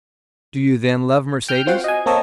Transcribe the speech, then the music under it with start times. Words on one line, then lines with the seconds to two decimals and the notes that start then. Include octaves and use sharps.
"Do you, then, love Mercedes?"
1.48 G5 F6 G6
1.67 C4 F4 F#4 C5 F5 F#5
1.84 D#5 G#5
2.06 A#3 C4 A4 C#5 D#5 A5